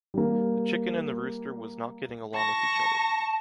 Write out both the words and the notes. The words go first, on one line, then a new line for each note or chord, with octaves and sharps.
The chicken and the rooster was not get along with each other.
G3 A#3
A5 C#6 A#6